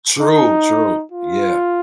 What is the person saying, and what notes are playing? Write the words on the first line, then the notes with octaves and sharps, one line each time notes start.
True, true. Yeah.
D#4
F4